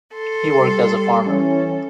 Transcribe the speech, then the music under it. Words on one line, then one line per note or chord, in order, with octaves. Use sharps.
He worked as a farmer.
A4 C6
G3
E3 C#4 A4